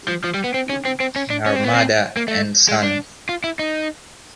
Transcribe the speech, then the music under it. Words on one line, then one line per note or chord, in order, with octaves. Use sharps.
Narmada and Son.
F3
F3
G3
B3
C4
C#4
C4
C4
C#4
D4
C#4
C4
B3
C4
A#3
A3
G#3
D4
F4
E4
D#4